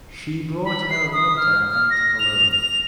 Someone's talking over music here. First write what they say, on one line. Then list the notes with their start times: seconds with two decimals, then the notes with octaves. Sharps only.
She brought her water and cologne.
0.64 B5
0.90 C7
1.13 D#6
1.37 F6
1.70 F6
1.90 A#6
2.19 F7
2.51 F7